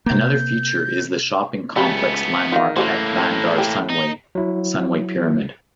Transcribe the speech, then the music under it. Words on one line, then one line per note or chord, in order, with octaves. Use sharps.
Another feature is the shopping complex landmark at Bandar Sunway, Sunway Pyramid.
C3 A#3 G6
C#2 F#3 G3 A3 B3
D#3 F4 F5
A2 C#3 E3 A#3 F#4 C5
C4
G4
D#4
F#3 E4